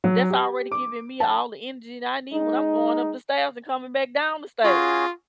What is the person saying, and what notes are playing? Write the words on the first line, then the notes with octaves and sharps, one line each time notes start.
That's already giving me all the energy that I need when I'm going up the stairs and coming back down the stairs.
F#3
G4
D6
A5
G#3 D#4
C#4 F4 F#4 G#4